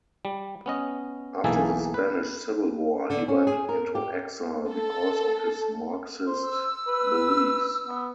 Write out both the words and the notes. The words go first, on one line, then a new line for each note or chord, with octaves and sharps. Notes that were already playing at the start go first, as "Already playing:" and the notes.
After the Spanish Civil War, he went into exile because of his Marxist beliefs.
G3
B3 C#4 D#5
B1 E3 A#3 D#4 G#4 A4
B4
D3
C#4
G#4
A#4
G4
A4
C5
E6
B4
B3